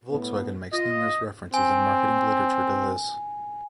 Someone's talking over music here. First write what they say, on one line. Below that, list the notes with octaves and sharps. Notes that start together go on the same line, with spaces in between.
Volkswagen makes numerous references in marketing literature to this.
A2 B3
F4 D#5
C4 G#5